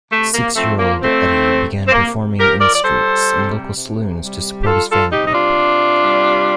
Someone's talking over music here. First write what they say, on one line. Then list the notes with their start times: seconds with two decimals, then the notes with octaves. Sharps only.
Six-year-old Eddie began performing in the streets and local saloons to support his family.
0.10 C3 A3
0.33 A#3
0.55 F3 A3 C4
0.78 A#3
1.01 F3 A3 C4
1.46 C3
1.86 C4
1.92 C3 A#3
2.37 F3 G4 A#4
2.60 A#4 D5
2.74 D5
2.83 G3 A4 C5
3.29 C3
3.74 C3
4.20 G3
4.61 G4
4.65 G3 F4 A4
4.88 F4 A4
5.11 C3 D#4 G4
5.26 D#4
5.33 D4 F4
5.56 C3
6.01 G3